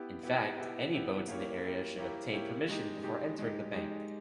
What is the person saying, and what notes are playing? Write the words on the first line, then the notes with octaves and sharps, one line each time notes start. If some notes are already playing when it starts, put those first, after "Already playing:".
In fact, any boats in the area should obtain permission before entering the bank.
Already playing: B3 E4 G4
B3 E4 G4
B3 E4 G4
B3 E4 G4
A#3 E4 G4 A#4 C#5
A#3 E4 G4 A#4 C#5
A#3 E4 G4 A#4 C#5
A#3 E4 G4 A#4 C#5
G#3 D#4 G4
G#3 D#4 G4
G#3 D#4 G4
G#3 D#4 G4